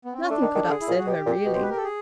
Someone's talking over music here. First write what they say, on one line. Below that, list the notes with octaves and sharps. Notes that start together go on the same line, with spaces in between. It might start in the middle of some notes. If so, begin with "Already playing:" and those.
Nothing could upset her, really.
B3
C4
C#4
A3 D4
D#3
D#3
A4
D3 G#4
E4
A#2 F4
F#4
B2 G4
A#2
B2
C5
B4
A#4
A4
G#4